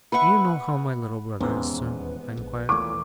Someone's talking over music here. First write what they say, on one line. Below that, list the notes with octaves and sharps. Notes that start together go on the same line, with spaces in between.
'Do you know how my little brother is, sir?' I inquired.
B4 E5 F#5 C#6
D#1 E2 G#2 C3 B3 C#4 B4
A#1
D#1 A#2 E3 A3 C#5 D6